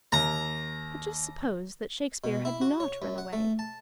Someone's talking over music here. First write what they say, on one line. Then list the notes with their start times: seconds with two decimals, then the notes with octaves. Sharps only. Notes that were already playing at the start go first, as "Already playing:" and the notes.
But just suppose that Shakespeare had not run away!
0.12 D#2 A#5
2.24 B2
2.45 E4
2.61 F#4
2.80 C#5
3.02 F#2
3.18 F#5
3.33 A3
3.59 A5